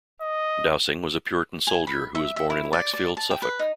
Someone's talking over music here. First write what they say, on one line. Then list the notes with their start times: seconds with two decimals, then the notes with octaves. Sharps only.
Dowsing was a puritan soldier who was born in Laxfield, Suffolk.
0.21 D#5
1.67 G#5
1.87 B5
2.15 E5
2.36 E5
2.50 E4
2.73 D5
2.93 D5
3.17 A5
3.31 G5
3.42 B4
3.59 D#4